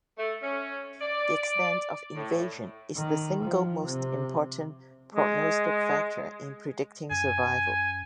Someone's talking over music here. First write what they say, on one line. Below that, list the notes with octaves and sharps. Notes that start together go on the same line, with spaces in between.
The extent of invasion is the single most important prognostic factor in predicting survival.
A3
C#4
D5
A2
D#3
F3
C3
G#3
F#2 G#5